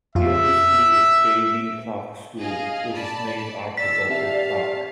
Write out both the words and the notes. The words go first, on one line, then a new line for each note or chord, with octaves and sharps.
The only school is J. V. Clark School, which is named after Doctor Clark.
F2 F4 E5
G#4 D#5 F5
D5 A5 B5
D#3 D5 E6 A6 B6
C4 G4 E5 F5 A5